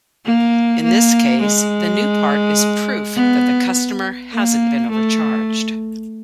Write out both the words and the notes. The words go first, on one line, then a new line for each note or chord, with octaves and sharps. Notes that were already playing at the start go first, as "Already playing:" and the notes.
In this case the new part is "proof" that the customer hasn't been overcharged.
A#3
A#3
G#3
B3
A#3
A3